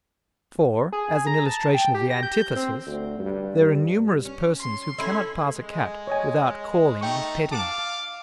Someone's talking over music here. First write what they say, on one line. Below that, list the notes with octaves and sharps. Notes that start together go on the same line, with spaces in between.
For, as an illustration of the antithesis, there are numerous persons who cannot pass a cat without calling and petting it.
G#4
A#5
A5
G5
G4
A#6
G6
C4
D2
G2
G2
C#4
C6
C#4 E4 A4
G#3
C#5 D#5 G#5
A3 D#4 G5 C#6
F5 A5 D6